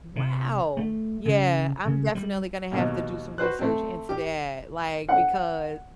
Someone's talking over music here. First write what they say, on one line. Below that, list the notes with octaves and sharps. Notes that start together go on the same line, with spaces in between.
Wow! Yeah, I'm definitely gonna have to do some research into that, like, because
C3
A3
C#3
C#3
G3
D#2 B2 F#3
F#4 B4 C5 F#6
A3 C4
G4
F#5